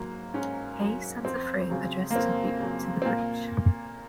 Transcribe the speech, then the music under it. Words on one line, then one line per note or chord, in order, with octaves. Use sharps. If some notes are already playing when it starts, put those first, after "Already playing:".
A sends a frame addressed to B to the bridge.
Already playing: G#2 F#3 A#3
G#2 C#4
F#3
F2 C4
C#3 F#3
A#3
F2 C4
C#3 F#3
C4
A#2 A#3